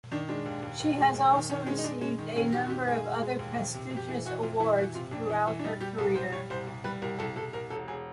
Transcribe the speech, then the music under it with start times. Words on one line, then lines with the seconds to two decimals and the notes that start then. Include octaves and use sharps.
She has also received a number of other prestigious awards throughout her career.
0.12 D#3 D4
0.29 G#3 D4
0.46 D#2
0.63 D#2
0.80 D#2
0.98 G#3
1.14 D#2
1.33 D#3
1.50 D#3 C#4
1.67 G#3 C#4
1.78 D#4
1.84 G#3 D4
2.01 G#3 C#4
2.18 D#3
2.36 D#2 C#4
2.52 D#3 G4
2.64 F#4
2.70 D#3 G4
2.88 G#3 G#4
3.05 G#3
3.22 G#3
3.39 D#2
3.56 F2
3.74 C3
3.91 F2
3.96 G4
4.08 E3 G#4
4.26 E3 F#4
4.43 F2 F4
4.60 E3 E4
4.78 E3 F#4
4.94 C3 F4
5.11 F2 D4
5.30 E3
5.47 E3
5.59 D4
5.64 G3 D#4
5.81 G3 G4
5.98 C2 A4
6.15 G3 C5
6.32 G3 C#5
6.50 C2 C5
6.67 C2
6.84 G3 B4
7.02 C2 A#4
7.19 C2 A4
7.36 C2 A4
7.53 C2 A#4
7.70 E1 A4
7.88 E1 G#4